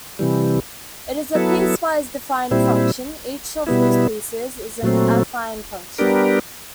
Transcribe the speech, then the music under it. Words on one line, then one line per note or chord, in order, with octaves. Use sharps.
It is a piecewise-defined function, each of whose pieces is an affine function.
C3 E3 G3
F#3 B3 E4 A4
A#2 G3 C4 E4
B2 G3 B3 E4
A#2 F#3 A3 C4
G3 B3 D4 G4 A#4